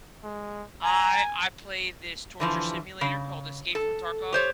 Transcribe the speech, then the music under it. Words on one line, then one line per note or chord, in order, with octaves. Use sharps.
I I play this torture simulator called Escape from Tarkov.
G#3
G#5 A#5
D3 E3 F3
C#3
A4
G4 C5 C#5